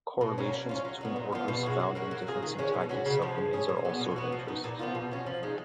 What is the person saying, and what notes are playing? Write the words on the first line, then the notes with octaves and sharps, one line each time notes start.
Correlations between orders found in different syntactic sub-domains are also of interest.
B2
F#3 A#3 C#4
F#3
C#4 F4
F#3
B3 D#4 F#4
A#2
F3 B3 F4
B2
G#3 D#4 F#4
F#3
A#3 C#4 F#4
F#3
A#3 F4 G#4
D#3
G#3 C#4
B2
F#3 C#4 F#4
C#3
F3 G#3
G#3
C#4 G#4
A#2
F#3 B3
B2
F#3 B3 F#4
F3
B3 D#4
A#2
F3 B3 F4
B2
F#3 C#4
F3
G#3 D#4